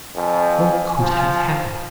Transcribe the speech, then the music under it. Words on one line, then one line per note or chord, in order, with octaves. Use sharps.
What could have happened?
F2 G#5
F3